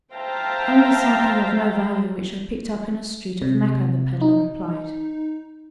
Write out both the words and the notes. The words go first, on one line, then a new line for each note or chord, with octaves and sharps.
"Only something of no value, which I picked up in a street of Mecca," the peddler replied.
C5 E5 F5 G5 A5 A#5
C3
D#4